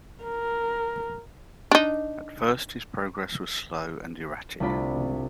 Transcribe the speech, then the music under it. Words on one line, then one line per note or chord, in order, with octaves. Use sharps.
At first his progress was slow and erratic.
A#4
D4 D#4
C2 A3 D4 F4 D5 B5